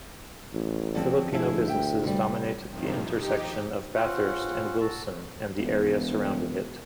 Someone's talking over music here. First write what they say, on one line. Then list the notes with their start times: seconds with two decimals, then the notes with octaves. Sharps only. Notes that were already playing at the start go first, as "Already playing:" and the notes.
Filipino businesses dominate the intersection of Bathurst and Wilson and the area surrounding it.
0.53 A1
0.95 D3 F3 C4
1.32 D2 F3 E4 G#4
1.68 E5 G5
2.03 C3 G3
2.68 G2 C3 D#3 F3
3.03 D#4 G4
3.95 C4 C#4 F4 F#5
4.81 F#4 A4 A5
5.58 E1